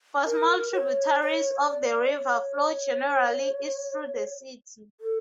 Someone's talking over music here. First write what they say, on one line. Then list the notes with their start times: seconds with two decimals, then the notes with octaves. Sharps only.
Four small tributaries of the river flow generally east through the city.
0.26 A#4
0.73 C#5
1.21 C#5
1.69 D5
2.16 C#5
5.01 A4